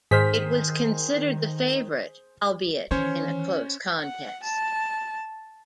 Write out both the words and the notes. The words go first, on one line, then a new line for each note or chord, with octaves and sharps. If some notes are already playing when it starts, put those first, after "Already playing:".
It was considered the favourite, albeit in a close contest.
G#2 D#3 G#4 C5 F6 B6
D#3 E3 C#4 C5 C#5
F#5
A5